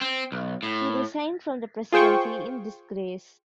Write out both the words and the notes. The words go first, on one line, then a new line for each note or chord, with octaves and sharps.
He resigned from the presidency in disgrace.
C4
B1
A2
F4 G#4 C5 G5 C#6